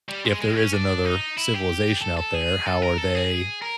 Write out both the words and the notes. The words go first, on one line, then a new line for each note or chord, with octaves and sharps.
if there is another civilization out there, how are they
G3
G#3
G#3
C4
C#4
D4
D#4
E4
G4
A4
A4
G#4
A4
A#4
A4
G#4
A#4